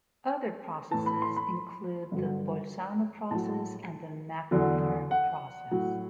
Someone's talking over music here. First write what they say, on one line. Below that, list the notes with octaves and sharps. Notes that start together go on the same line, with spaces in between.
Other processes include the Bolzano process and the magnetherm process.
A2 E3 A5
B5
C6
B5
G2 D3 F#3
A2 F#3 A5
E2 D3 F#3
F#5
A2 F#3